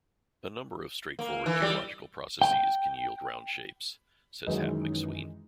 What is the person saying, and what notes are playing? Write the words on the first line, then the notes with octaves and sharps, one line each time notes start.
"A number of straightforward geological processes can yield round shapes," says Hap McSween.
A#3
E3
G3
G5
F#2 D#3 E3 G#3 D#4